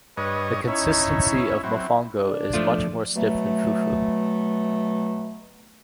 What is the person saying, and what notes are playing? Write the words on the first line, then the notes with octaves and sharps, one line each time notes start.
The consistency of mofongo is much more stiff than fufu.
G2 B4 C#5 D#5
C#4 D#4 E4 C#5
F#3 C4 E4
D4
F3 A3 F4
B2 F#3 A3